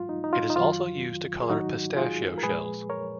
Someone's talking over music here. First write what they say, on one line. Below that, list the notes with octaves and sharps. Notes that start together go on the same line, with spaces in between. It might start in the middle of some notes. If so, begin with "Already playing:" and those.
It is also used to color pistachio shells.
Already playing: G#2 F#3 F4
D#4
D#4
F4
D#4
F#2 D#3 F#3 F4
G#4
G#2 D#3 F#3 D#4 F#4
F4 G#4
A#4
A#2 F3 G#3 G#4 B4
A#4 C#5